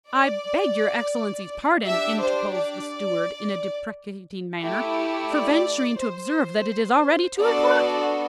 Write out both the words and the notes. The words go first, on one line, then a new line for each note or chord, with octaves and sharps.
"I beg your excellency's pardon," interposed the steward in a deprecating manner, "for venturing to observe that it is already two o'clock."
D5
D4 G4 E5
C5
D5
A3 E4 G4
D5
C5
B3 D4 F#4 A4 D5